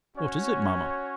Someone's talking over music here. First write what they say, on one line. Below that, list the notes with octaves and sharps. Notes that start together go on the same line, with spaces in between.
"What is it, mama?"
C#4 F#4 C#5